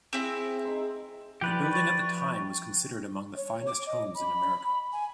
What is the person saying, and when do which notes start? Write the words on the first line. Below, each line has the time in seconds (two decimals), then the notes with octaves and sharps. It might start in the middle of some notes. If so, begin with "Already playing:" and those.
The building at the time was considered among the finest homes in America.
0.13 C4 E4 G#4
0.65 D#4 C6
1.41 F3 E4 F#4 G4 B4 D5 D6
1.73 C#6 A6
3.37 C#5
3.67 D6
3.87 D#5
4.15 B5
4.93 G#5